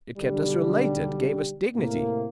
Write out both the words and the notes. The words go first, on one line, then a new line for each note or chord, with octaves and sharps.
It kept us related--gave us dignity....
B1 D3 G3 D4 G4
A2 C3 A#3